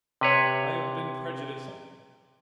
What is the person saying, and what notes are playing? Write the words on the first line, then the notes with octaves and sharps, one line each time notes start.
I have been prejudiced.
C3 B4 C#5